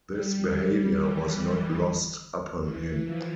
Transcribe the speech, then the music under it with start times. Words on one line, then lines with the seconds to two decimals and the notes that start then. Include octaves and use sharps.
This behaviour was not lost upon him.
0.11 G3
0.94 E3
2.62 E3
3.04 F3